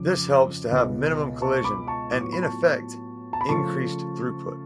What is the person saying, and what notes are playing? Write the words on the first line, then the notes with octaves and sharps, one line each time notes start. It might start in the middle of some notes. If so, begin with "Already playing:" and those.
This helps to have minimum collision and in effect, increased throughput.
Already playing: F2 C#3 F3 D6
C#2 B2 G#3 B3
A5 C#6
C#6
B5 D6
A5 C#6
A2 F#3 B3 F4 D6
C#6
B5
A5 C#6
A5
B5
C#3 F3 A3 F4 A5 C#6